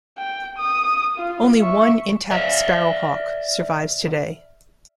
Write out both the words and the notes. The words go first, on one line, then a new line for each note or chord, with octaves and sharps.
Only one intact Sparrowhawk survives today.
G5
D#6
F4
E5 C#6
D5 E5 F5